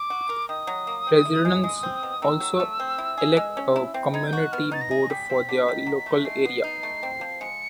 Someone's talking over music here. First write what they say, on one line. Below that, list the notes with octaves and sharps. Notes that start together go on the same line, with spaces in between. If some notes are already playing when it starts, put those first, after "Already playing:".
Residents also elect a community board for their local area.
Already playing: D6
F#4
A#4
D#3 D#6
F#3
A#3
C4
E4
G#3
G#3
C4
B2
D#3 E6
F#3
A3
C4
E4
G#4
G#3
C#4
E4
C4
D#4 G#6
G6
F#4
F#6
B3 F6
D#4 A6
A#6
G#4
G3 B6
C4
D3
D#3
F#3
A3
G#3 C7
B3
D#4
A3
C4
F3
G#3 C#7